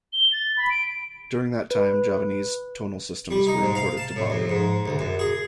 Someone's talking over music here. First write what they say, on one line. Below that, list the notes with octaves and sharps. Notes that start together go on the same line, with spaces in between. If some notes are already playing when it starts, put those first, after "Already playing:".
During that time, Javanese tonal systems were imported to Bali.
G7
A6
B5
D7
B4
G3
D#4
G#2
F5
A5
A2
F2
G#2
D2
F#2
G#4